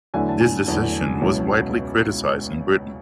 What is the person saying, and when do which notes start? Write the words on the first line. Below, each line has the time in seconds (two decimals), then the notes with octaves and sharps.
This decision was widely criticized in Britain.
0.14 E2 D3 F#3 A3 E4 G#5
0.29 A5
0.41 G#5
0.67 E2 D3 F#3 A3 E4 A5
1.21 C#2 B2 F#3 C#4 E4